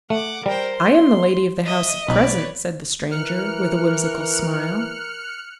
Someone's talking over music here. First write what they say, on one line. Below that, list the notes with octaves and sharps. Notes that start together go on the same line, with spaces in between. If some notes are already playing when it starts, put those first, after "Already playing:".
"I am the lady of the house at present," said the stranger, with a whimsical smile.
A3 F#5 D6
G3 A#4 C5 G5
C6
D#5 E5
B1 D#4 B4 C#5 D5
E3 A#4 F6 F#6 C#7